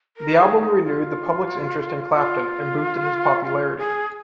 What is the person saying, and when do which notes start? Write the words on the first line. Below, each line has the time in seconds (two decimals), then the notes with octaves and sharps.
The album renewed the public's interest in Clapton, and boosted his popularity.
0.17 A#4
0.40 G#4
0.61 D#4
0.83 F4
2.14 F4
3.44 F4
3.78 G#4